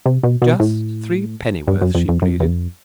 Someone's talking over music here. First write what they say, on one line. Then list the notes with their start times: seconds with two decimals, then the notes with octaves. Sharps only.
"Just threepennyworth," she pleaded.
0.06 C3
0.23 B2
0.42 B2
0.60 A2
1.67 G2
1.82 F#2
1.95 F2
2.09 F2
2.22 F#2
2.31 F2
2.40 E2
2.48 F2